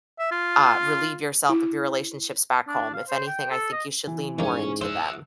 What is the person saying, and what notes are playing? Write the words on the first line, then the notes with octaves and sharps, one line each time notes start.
uh, relieve yourself of your relationships back home. If anything, I think you should lean more into them,
E5
F4
E4
D4
F5
C5
G5
A4
D#5
E3
G#2 D#3 A#3 C#4
C5 E5 F#5